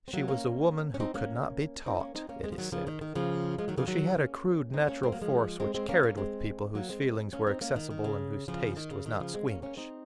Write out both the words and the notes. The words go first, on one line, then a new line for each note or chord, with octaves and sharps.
She was a woman who could not be taught, it is said, though she had a crude natural force which carried with people whose feelings were accessible and whose taste was not squeamish.
C4
F#3 A#3
A#3 C#4
C#4
C4 D#4
A#3 C#4
C4 D#4
A#3 C#4
C4 D#4
A#3 C#4
G#3 C4
F3
D#3 F#3
C#3 F3
D#3
D#3
C#3 F3
F3 G#3
D#3 F#3
C#3 F3
D#3 F#3
A#3 C#4
C4 D#4
A#3 C#4
G#3 C4
F#3 A#3
F3 G#3
G#3 C4
G#3 C4
A#3 C#4
A#3 C#4
G#3 C4
F#3 A#3
G#3 C4
A#3 C#4
C4 D#4
A#3 C#4
D#3
D#3
C#3
C#3 F3
D#3
C#3
D#3
C#3 F3
G#3 C4
A#3 C#4
A#3 C#4
C4 D#4